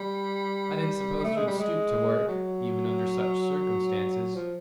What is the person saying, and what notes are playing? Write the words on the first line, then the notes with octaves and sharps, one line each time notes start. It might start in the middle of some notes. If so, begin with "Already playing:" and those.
I didn't suppose you'd stoop to work, even under such circumstances.
Already playing: G3
A3
G#3
G3
G#3
F#3
F3